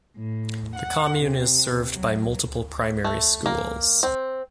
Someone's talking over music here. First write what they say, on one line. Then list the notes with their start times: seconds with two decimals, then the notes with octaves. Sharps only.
The commune is served by multiple primary schools.
0.17 A2
0.76 F#5
1.23 C3
1.93 F#3
3.04 A3
3.46 A#3
4.03 C4